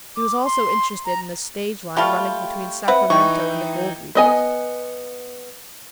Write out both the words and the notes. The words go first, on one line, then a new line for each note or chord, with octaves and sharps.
He was also interested in a stage line running between Sacramento and the gold regions.
D6
C6
A#5
G3 A3 F4 G5 B5 C#6 F6
C4 B4 E5 F#5 B5
E3 D#4 G5 C#6
B3 D#5 G#5